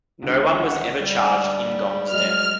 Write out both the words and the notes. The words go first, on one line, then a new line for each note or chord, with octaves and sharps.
No one was ever charged in Gong's death.
C#2 D3
F#5
G3
F#3 G#3 D#5 F6